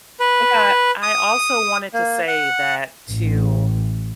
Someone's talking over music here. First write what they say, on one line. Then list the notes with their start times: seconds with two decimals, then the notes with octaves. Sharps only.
Yeah. I also wanted to say that to
0.20 B4
1.03 D#6
1.94 A#3
2.28 F#5
3.09 A1